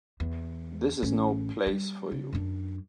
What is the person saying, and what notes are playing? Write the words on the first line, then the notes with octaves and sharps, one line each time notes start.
This is no place for you.
E2
A1 C#4
G3
C#3
F#2 D4